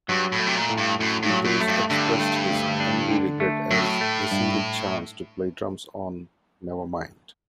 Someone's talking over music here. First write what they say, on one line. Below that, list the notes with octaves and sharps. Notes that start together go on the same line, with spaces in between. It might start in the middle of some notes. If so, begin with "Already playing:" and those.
Peters expressed his only regret as missing the chance to play drums on "Nevermind".
G2 F#3
A2
A3
C3
A#2
A2
G2
F#2 A2
G2
F#3
F#2
A3
G2
G2 D3
A3
D2
D4
D3
A3
A2 F#3
A3
G2